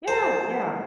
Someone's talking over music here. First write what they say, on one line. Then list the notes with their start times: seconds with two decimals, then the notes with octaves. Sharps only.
Yeah, yeah,
0.08 C5